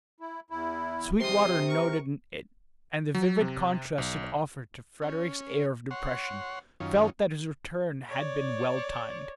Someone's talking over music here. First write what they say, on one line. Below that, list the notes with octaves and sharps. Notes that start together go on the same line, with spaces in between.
Sweetwater, noting it, and the vivid contrast it offered to Frederick's air of depression, felt that his return had been well timed.
E4
E2 E4
C3 D#3 F3 G#3 C6 D#6
A#4 C#6
F#3
C3
B1
C#4
C#5 F#5 C6
F#2 D#3 C#4 F4
C#5 D5